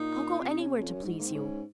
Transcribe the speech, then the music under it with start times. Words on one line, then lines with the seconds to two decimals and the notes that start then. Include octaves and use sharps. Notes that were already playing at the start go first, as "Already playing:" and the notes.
I'll go anywhere to please you.
Already playing: A#2 D#4
0.40 C3 F4
0.50 D#4
0.60 C#4
0.70 C4
0.79 F2 C#4
0.93 F#2
1.03 G#2 F#3
1.12 G#3
1.19 G#2 A#3
1.28 C4
1.34 G#2 C#4